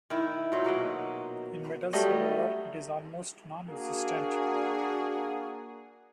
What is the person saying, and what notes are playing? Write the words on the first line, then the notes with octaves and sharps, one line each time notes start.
In metals however, it is almost non-existent.
D#3 E4
A#2 F#3 D#4
B2 A#3 D#5 F#5
F#3 G3 A3 D#5
A#3 D4 F#4 G#4